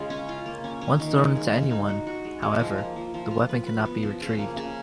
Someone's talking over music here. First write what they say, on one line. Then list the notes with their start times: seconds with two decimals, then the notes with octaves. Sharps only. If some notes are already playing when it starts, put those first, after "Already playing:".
Once thrown into anyone, however, the weapon cannot be retrieved.
Already playing: C#3 G#3 F4
0.10 C#4
0.29 F4
0.46 A#3
0.64 C#4
0.81 C#4
1.00 D#3
1.18 G#3
1.35 C#3
1.54 C#3
1.71 D#4
1.89 F#4
2.07 F#4
2.25 G#3
2.42 G#3
2.60 F3
2.78 A#3
2.96 F3
3.14 F3
3.31 F4
3.49 B4
3.67 B4
3.85 B3
4.03 F3
4.21 C#3
4.39 A#3
4.56 C#3